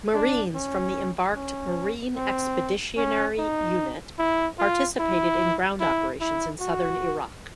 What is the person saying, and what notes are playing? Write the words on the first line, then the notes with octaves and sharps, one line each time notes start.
Marines from the embarked Marine Expeditionary Unit participated in ground operations in southern Iraq.
D4
C#4
C#4
C4
C#4
D#4
E4
F4
E4
E4
E4
F#4